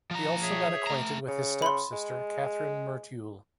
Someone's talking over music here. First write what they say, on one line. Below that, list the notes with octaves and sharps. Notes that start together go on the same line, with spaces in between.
He also got acquainted with his stepsister Kathryn Merteuil.
F3 A#5
G#4 C#5 E5
A3 A#5
C#3
B5 C6
G#3